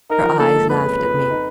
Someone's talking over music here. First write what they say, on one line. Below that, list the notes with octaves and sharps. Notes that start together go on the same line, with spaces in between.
Her eyes laughed at me.
D#4 A#4
F3
A#3 A4
G#2
F2 B4
C#3
F3
F2
D#4